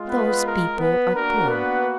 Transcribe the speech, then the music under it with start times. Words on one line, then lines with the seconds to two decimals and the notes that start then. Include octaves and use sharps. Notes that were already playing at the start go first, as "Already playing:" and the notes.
Those people are poor.
Already playing: G#3 F4
0.08 B3 B4
0.44 A#4
0.78 B3 B4
1.14 A#3 D4 F#4 A#4
1.49 B3 B4